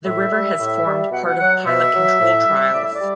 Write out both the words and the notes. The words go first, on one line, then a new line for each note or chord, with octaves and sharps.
The river has formed part of pilot control trials.
A2 E5
G3
A2
G3
B2 F#5
F#5
F#3 F#5
B2 E5
F#3
A2
G3
A2 D5
E5
D5
G3